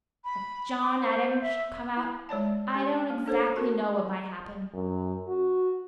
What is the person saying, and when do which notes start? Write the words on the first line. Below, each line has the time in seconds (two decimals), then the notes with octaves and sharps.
If John Adam should come out, I don't exactly know what might happen.
0.25 B5
0.81 D6
1.01 C5
1.41 E5
1.97 E4
2.29 G#3 C#5 D5 A5
2.75 C#4 G4
3.10 A#3
3.26 D4 A4 C5 C#5
3.56 F#4 A#4 A5
4.74 F#2
5.28 F#4